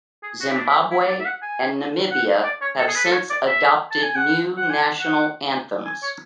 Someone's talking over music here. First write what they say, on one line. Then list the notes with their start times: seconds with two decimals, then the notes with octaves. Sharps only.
Zimbabwe and Namibia have since adopted new national anthems.
0.23 G#4
0.40 F#4
0.49 E4
0.57 D4
0.66 E4
0.91 E4
1.08 D5
1.20 E5
1.25 F#5
1.42 G#5
2.11 F#5
2.44 D5
2.62 C#5
2.79 A4
2.88 G#4
2.95 B4
3.05 A4
3.12 C#5
3.30 D5
3.47 E5
3.91 A5
4.03 G#5
4.15 F#5
4.57 F#5
4.70 G#5
4.83 A5
4.99 F#5
5.86 G#5
6.03 C#5